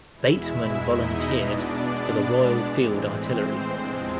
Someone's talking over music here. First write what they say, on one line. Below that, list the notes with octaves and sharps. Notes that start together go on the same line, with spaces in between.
Bateman volunteered for the Royal Field Artillery.
E2 B2 G#3 E4 E5
D#4 D#5
B2 G#3 B3 D4 D5
A2 E3 G#3 C4
C4 C5
E2 C3 F3 G#3 C4 D4 D5